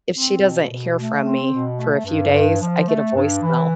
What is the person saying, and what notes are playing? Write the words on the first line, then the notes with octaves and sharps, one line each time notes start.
if she doesn't hear from me for a few days, I get a voicemail,
C4
B2
B2
A3
C4
B2
A3
G2
G2
F3
A3
G2
E3